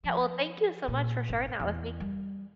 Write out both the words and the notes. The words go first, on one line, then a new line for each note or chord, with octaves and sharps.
Yeah, well, thank you so much for sharing that with me.
F3
A#2
G#1
E2
G3